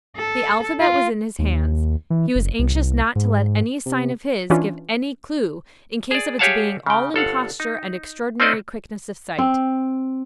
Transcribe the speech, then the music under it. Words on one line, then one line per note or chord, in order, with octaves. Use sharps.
The alphabet was in his hands; he was anxious not to let any sign of his give any clue in case of its being all imposture and extraordinary quickness of sight.
A4
F4
D#2
E3
F#1
C2
C2
G#2
C3
E3 C#4 D4 F4
G#4 D5
G4 G#4 C#5 F5 F#5 A5
C#3 G5
G1 A4 F5 F#5
D#4
C4 C#4 D#4 C5 D5 D#5
C4